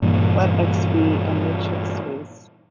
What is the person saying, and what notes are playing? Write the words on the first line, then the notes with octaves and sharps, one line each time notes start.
Let "X" be a metric space.
G2 A#2 E3